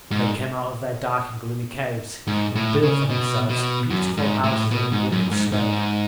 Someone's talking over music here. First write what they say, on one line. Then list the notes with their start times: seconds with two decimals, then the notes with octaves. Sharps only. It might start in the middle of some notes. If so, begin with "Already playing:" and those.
And they came out of their dark and gloomy caves and built for themselves beautiful houses of wood and stone.
0.11 G#2
2.27 G#2
2.56 A2
2.83 C#3
3.10 B2
3.49 B2
3.90 F#2
4.17 G#2
4.44 A2
4.71 B2
4.92 G#2
5.12 F#2
5.31 G#2
5.52 G#2